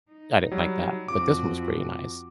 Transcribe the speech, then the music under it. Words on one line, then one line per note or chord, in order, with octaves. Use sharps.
I didn't like that. But this one was pretty nice.
D#4
F#3 G3
F2 F#4 D6